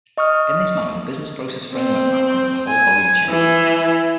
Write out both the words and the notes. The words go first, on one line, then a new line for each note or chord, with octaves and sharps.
In this manner the Business Process Framework map covers the whole value chain.
D#5 C#6 D#6 F6
C4
G#5
E3